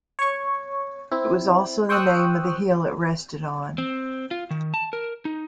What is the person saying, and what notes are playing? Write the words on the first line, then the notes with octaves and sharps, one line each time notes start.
It was also the name of the hill it rested on.
C#5 C#6
C4 E4
C5 G5 C#6 D#6 E6 F#6
C4
F4
D#3
A5
A#4
D#4